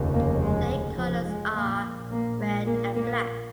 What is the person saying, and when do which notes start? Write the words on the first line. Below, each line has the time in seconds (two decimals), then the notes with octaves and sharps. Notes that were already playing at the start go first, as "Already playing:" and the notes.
Their colors are red and black.
Already playing: F1 D#2 C#3
0.13 A#3
0.42 G#3
0.98 F3
1.25 G#3
1.54 A#1 A#2 A#3
2.11 A#3
2.39 G#3
2.67 A#3
2.95 A#3